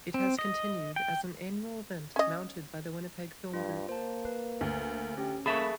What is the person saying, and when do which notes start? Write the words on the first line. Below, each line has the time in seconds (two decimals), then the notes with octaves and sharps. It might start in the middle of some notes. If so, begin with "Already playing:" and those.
It has continued as an annual event mounted by the Winnipeg Film Group.
0.14 C4
0.39 D#5
0.96 G5
2.16 C#4 D#5
3.54 G2 F4
3.89 A#3 C5 A5
4.25 B4
4.61 D2
5.17 C#4 G4
5.46 A#3 G#4 A4 E5 B5 C#6